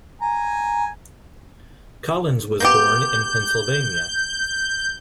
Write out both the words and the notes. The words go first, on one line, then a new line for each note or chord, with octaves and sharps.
Collins was born in Pennsylvania.
G#5 A#5
A#3 B3 G4 G6